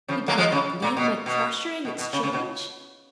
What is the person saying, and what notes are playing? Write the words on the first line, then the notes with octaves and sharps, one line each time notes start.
"Did I not leave my treasure in exchange?"
C#3 F3
F#3 A#3
F3 G#3
C#3
A#2
B2
B2
B2
B2
C#3
C#3
B2